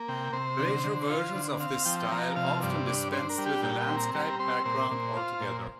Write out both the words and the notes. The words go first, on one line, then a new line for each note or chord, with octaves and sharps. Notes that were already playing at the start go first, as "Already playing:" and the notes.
Later versions of this style often dispensed with a landscape background altogether.
Already playing: A#3
C3 G5
C3 C5
D3
D3
F4
D3
C4 F5
F3 G5
G5
F3 A#5
C3 F5
G2 D5
D4
D4 C5
A#4
G3
G4
A#2 G5
G5
C4
A#5
G3 A#5
C4 C6
A#2 C5
A#2
F4
A#2